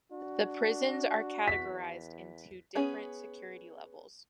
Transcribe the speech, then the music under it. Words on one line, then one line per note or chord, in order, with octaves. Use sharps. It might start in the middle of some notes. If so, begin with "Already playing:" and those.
The prisons are categorized into different security levels.
D4 F#4
E2 B6
B3 C#4 G#4 G#5